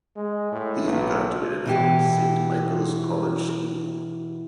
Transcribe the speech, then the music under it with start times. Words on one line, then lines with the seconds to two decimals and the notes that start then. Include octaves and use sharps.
He graduated from Saint Michael's College School.
0.16 G#3
0.52 A2
0.85 B1
1.66 B2 E3 G4